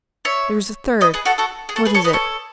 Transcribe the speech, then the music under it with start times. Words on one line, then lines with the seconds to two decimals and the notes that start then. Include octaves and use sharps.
There is a third. What is it?
0.25 C#5 E5
1.01 B4 D#5
1.14 G#4 B4
1.25 F#4 A4
1.38 F#4 A4
1.69 G#4
1.76 F#4 A4
1.85 G#4 B4
1.95 A4 C#5
2.04 B4 D#5
2.13 A4 C#5